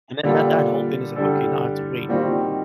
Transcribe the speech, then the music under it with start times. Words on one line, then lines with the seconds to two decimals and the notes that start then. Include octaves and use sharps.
and then that that whole thing is like, okay, now I have to wait,
0.24 A#2 D3 G3 D4 A4
1.16 D3 G3 D4 A4
2.09 A#2 D#3 G3 C4 F#4